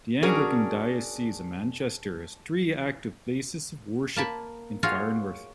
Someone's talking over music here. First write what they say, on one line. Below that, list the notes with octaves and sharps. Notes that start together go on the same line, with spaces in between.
The Anglican Diocese of Manchester has three active places of worship in Farnworth.
C#4 D4 F#4 G#4 A#4
A#3 A5 B5
F4 F#4 G#4 C#5 F5